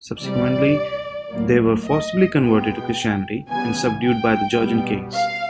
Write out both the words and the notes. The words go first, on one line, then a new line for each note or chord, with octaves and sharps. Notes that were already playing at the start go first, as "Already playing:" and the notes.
Subsequently, they were forcibly converted to Christianity and subdued by the Georgian kings.
C3 E3 G3 D5
A2 F#3 A#3
D#5
B2 G#3 B3 G5
C#3 E3 G3 B3 G#5
G5
B2 G3 B3
F5